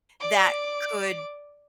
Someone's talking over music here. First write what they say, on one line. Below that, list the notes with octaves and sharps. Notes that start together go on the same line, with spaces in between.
that could
D5 D6